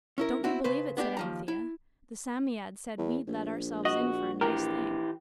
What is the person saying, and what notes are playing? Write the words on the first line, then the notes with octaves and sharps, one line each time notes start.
'Don't you believe it!' said Anthea. 'The Sammyadd said we'd let ourselves in for a nice thing.
C#4 E4 A#4
C4 E4 F#4
C#3 B4 C5
B3 D4 F#4 G4
D#2 F3 A#5
E4
E2
A#1
F#4 D#5
E3 G4 A#4